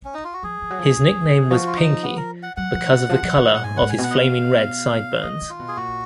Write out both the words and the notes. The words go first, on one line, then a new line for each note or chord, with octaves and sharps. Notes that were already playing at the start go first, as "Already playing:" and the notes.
His nickname was Pinky, "because of the color of his flaming red "side-burns.
C#4
D#4
F4
F#4
F3 G#4
F3
F#3
F3
F3
F3
D#3
C#3
F3 F#4
F4
D#4
B3
A#4
F#5
F#3 F#5
F3
C#3
F3
F3
D#3
A#2 F#5
G#2 G#5
G#2 F#5
G#5
B2
F#5
D#5
F5
C#3 D#5
D#3
F4
B2
G#4
A#2 F#4